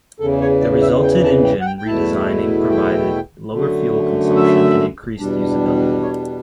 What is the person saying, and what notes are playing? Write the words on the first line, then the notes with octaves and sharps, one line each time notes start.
The resulted engine redesigning provided lower fuel consumption and increased usability.
E2 C#3 E3 A4
C#5
D5
E5
G5
A5
G5
F#5
G5
G5
E2 B2 A3 E4 A5
G5
F#2 D3 A3
E5
E2 B2 G3 D4
C#5